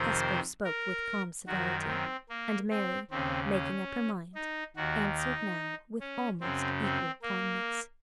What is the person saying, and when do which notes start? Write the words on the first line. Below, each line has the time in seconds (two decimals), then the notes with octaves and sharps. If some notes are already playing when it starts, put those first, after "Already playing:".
Hesper spoke with calm severity, and Mary, making up her mind, answered now with almost equal calmness.
Already playing: F2 C3 D#3 C5
0.64 A#4
1.47 F#2 D#3 F#4
1.87 C4
2.29 A#3
2.70 C4
3.11 D#2 C#3 C4
3.52 C#4
4.35 D#4
4.76 D#2 D#3 F#4
5.17 D#4
6.00 C#4
6.41 F#2 C#3 C4
6.82 C4
7.22 A#3